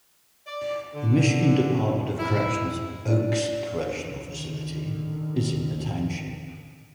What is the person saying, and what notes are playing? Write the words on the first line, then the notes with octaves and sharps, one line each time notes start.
The Michigan Department of Corrections Oaks Correctional Facility is in the township.
D5
D3
E4
D4
D3 D#3